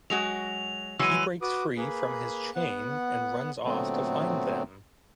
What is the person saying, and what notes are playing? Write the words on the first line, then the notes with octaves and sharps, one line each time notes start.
He breaks free from his chain and runs off to find them.
F#3 G#3 F#4 F7
E3 F#3 G#3 E6 D#7
F#4 B4 D6 D#6
A#3 G#4 B4 B5
B3 F#5
A#2 D3 F#3 A3 B3 C4